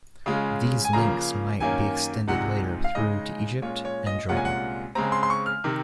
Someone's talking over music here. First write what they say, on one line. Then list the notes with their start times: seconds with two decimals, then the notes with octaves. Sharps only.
These links might be extended later through to Egypt and Jordan.
0.26 C#3 G#3 C#4 F4
0.85 G#5
0.93 C#3 F3 A#3 A#5
1.60 F#2 D#3 A#3 C#4 G#5
2.27 C2 C3 F3 G#3 D#4 F#5
2.84 F5
2.95 C#3 G#3 D#4 D#5
3.62 A#2 G#3 C#4 F4 C#5
3.85 C#5
4.07 D#5
4.29 C2 A#2 G#3 C#4 F4 F#5
4.37 G#5
4.45 F#5
4.95 C#3 G#3 C4 A#5
5.12 C6
5.23 C6
5.30 C#6
5.46 F6
5.64 C3 D#3